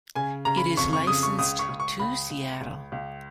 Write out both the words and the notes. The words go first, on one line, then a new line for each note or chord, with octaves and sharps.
It is licensed to Seattle.
C#3 G#5
C#3 A#5
B5
F2 C#6
C#6
C#3 D#6
C#6
C#2 D#6
C#6
C#2
C#6
C#2 B5
C#2
C#2
C#2